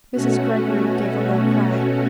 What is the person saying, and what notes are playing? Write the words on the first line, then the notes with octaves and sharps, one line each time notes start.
Mrs. Greggory gave a low cry.
B2 A3 C#4 F#4